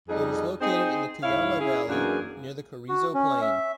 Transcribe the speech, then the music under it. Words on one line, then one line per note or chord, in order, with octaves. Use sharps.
It is located in the Cuyama Valley, near the Carrizo Plain.
F2 G3 D#4 G#4 D#5
C4 D#4 G#4 C5
D2 G#2 E4 C#5 F5
C#4 E4 G#4
F#2 E3 A#3 D4 G#4
F#4
C#4
E5